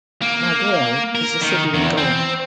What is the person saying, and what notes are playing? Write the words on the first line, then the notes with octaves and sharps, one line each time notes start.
Margao is a city in Goa.
A#3
A#4
D#3
E2
C4